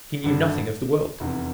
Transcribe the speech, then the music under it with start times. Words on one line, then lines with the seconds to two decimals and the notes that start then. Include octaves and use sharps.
She knew nothing of the world.
0.24 G#1 G2 D3
1.20 F1 E2 C3